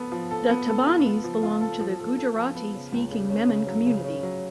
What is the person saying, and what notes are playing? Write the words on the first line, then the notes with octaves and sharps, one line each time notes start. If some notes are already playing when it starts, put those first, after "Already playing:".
The Tabanis belong to the Gujarati-speaking Memon community.
Already playing: B3 A4
F3
A4
B3
A4
F4
B3
F3
F4
A4
F3
A4
A4
F3
B3
C#3
C#2
C#3
C#4
C#3
F#3
C#3
C#4
F#3